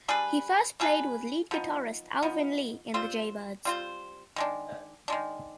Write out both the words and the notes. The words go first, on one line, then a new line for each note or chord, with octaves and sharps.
He first played with lead guitarist Alvin Lee in The Jaybirds.
G3 D4 G#4 B4
G3 D4 G#4 B4
F3 B3 D#4
F3 B3 D#4
G3 C4 F4 C5
G3 C4 F4 C5
D#3 G#3 D4
D#3 G#3 D4